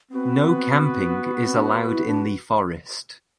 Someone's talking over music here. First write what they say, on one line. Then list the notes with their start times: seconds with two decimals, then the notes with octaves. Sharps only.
No camping is allowed in the forest.
0.11 B3 C4 F#4 B4
1.45 C4
1.54 D4
1.90 E4
2.07 D4